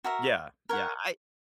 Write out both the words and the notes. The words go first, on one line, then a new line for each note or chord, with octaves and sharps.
Yeah, yeah, I
F#4 A#4 E5 A#5
A#4 C#5 F#5